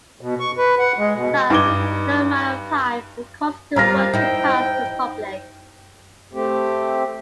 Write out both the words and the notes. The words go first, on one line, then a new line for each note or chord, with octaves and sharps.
Thus, no amount of time would cause the work to pass to the public.
B2
C#6
B4
F#5
G#3
B2
G2 D#4 D6 G#6 G7
G3 F4 A#4 C5 F5 A#5 F6 A#6
D#4 E4 G5
A3 C4 G4